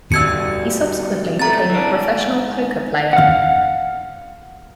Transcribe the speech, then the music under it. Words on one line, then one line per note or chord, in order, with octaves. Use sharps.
He subsequently became a professional poker player.
B2 G3 E6 G#6 C#7
C3 A3 A#5 A6
E3 D4
G#2
F5 F#5